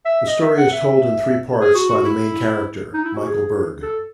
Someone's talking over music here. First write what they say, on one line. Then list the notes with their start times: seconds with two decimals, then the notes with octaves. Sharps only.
The story is told in three parts by the main character, Michael Berg.
0.05 E5
0.27 D#5
0.42 E5
0.57 F#5
0.72 E5
1.61 G#4
1.75 F#4
1.90 F#4
2.05 E4
2.94 D#4
3.04 E4
3.16 F#4
3.27 G#4
3.83 A4